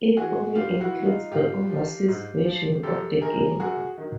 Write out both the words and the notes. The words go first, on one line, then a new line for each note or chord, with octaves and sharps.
It only includes the overseas version of the game.
E3 F#4 G#4
G2 F4 G4
E4 F#4
E3
D#4 F4
G#2 F4 G4
F3
G#2
F3
F#2 G4 A4
D#3 F#3 G#4 A#4
F#2 F#4 G#4
D#3 F#3